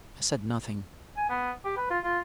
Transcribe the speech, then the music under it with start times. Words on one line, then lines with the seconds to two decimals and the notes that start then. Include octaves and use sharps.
I said nothing.
1.17 G#5
1.29 B3
1.65 G4
1.77 B4
1.90 F4
2.04 F4